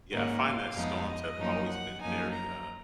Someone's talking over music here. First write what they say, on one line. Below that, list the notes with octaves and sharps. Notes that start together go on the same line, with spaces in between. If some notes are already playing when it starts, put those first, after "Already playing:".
Yeah, I find that storms have always been very, uh,
G#2 D#3 A#3 C#4 F#5
F5
F2 F3 G#3 B3 D#4
D#5
F#2 F3 A#3 D#4
F#5
F#2 F3 A#3 D#4 G#5
A#5